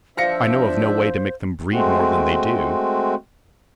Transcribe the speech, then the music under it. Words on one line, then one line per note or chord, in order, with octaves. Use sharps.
I know of no way to make them breed more than they do.
F3 D4 C5 E5 F5 A#6 C#7
G#3 A3 C4 F#4